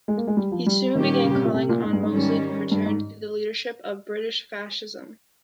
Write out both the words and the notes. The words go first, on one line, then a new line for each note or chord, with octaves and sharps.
He soon began calling on Mosley to return to the leadership of British fascism.
G#3
A#3
G#3
G3
F3
G3
A#2 D#3 G3 C#4 G4
C#3
C3
A#2
C3
A#2
G#2
G2
G#2
D#3 G3 C#4
G2
G#2